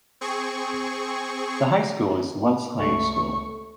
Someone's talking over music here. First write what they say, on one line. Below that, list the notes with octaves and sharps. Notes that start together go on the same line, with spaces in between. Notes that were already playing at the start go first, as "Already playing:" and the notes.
The high school is Wells High School.
C4 G#4 C#6
C#2 A3 C#6